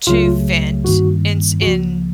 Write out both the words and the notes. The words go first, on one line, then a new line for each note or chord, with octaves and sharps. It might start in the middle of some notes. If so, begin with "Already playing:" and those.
to vent in s in
C#2 C#3 F#3 A3 F4
A1 G2 D#3 G3 A#3 F#4
C#2 C#3 F3 A#3 F#4